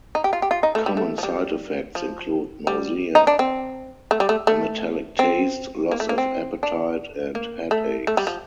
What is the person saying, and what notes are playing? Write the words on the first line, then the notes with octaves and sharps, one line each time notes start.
Common side effects include nausea, a metallic taste, loss of appetite, and headaches.
D#4
G4
F4
G4
F4
D#4
A3
G3
A3
F3
G3
F3
G3
D#4
D4
C4
A3
G3
A3
A3
C4
A#3
A3
A#3
C4
D4
A#3
A3
A3
G3
F3